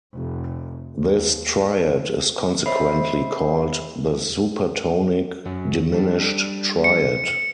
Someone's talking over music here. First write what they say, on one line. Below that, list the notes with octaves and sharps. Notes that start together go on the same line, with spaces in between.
This triad is consequently called the supertonic diminished triad.
F1
D#2
C5 C#5 D#5 E5 B5 C7
F#2 F#3
G3 D4
C#7